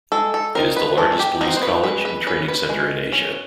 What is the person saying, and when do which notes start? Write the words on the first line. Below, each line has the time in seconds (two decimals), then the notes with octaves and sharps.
It is the largest police college and training center in Asia.
0.12 G#3 A4
0.34 A4
0.55 C4 D#4 A#4
0.77 B4
0.98 G#3 A4
1.19 G4
1.41 C4 D#4 F#4
1.57 C5
1.62 B4
1.84 G#3 B4
2.05 B4
2.27 C#4 B4
2.48 B4
2.69 G#3
3.12 C#4